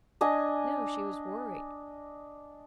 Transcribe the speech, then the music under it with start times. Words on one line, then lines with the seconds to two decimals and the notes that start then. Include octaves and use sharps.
"No--she was worried."
0.21 D4 D#5 G#5